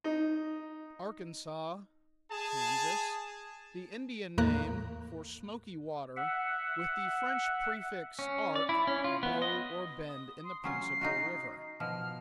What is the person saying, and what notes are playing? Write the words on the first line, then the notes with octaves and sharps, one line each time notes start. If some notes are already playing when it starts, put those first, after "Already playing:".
Arkansas"--Kansas," the Indian name for "smoky water," with the French prefix "arc," bow or bend in the principal river.
D#4
G#4 A5
E2 A2 A#3 A#5 F#6
E5 F#5
C#4
D5
E4
C#4
F4
B3
D#5
D#6
C6
F#3 C#4 F4 C7
D#4 F4 F#4
B2 F3 F6